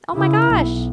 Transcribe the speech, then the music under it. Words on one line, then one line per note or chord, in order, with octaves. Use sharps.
Oh my gosh!
C#3 E4
B1